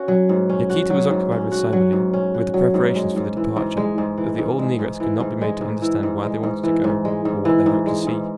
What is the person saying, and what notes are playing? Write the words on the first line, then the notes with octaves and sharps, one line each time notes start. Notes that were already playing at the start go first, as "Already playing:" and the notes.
Yaquita was occupied with Cybele with the preparations for the departure, though the old negress could not be made to understand why they wanted to go or what they hoped to see.
Already playing: C#4 F#4
F#3
G#2
C#4
F#4
F#3
G#2
C#4
F#4
F#3
G#2
C#4
F#4
F#3
G#2
G#3
G#2
E3
G#2
G#3
G#2
E3
G#2
G#3
G#2
E3
G#2
G#3
G#2
E3
G#2
G#3
G#2
E3
G#2
G#3
G#2
E3
G#2
G#3
G#2